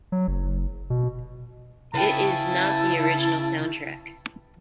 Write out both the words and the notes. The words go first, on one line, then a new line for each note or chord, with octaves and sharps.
It is not the original soundtrack.
F#3
F#1
B2
C#3 E4 B4 G5 A5